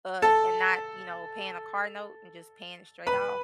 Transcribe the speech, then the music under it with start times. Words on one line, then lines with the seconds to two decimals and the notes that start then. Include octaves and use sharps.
o uh, and not you know, paying a car note and just paying it straight off
0.22 A4 A5
3.07 B4 B5